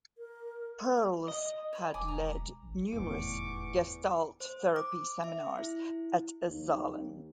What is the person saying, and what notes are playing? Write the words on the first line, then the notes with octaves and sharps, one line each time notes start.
Perls had led numerous Gestalt therapy seminars at Esalen.
A#4
D#5
C#5 B5
E1 G#5 D6 D#6
A#5
A1
F1 E2 A2 C#6 D6
C5
D6
E5
E4
D#2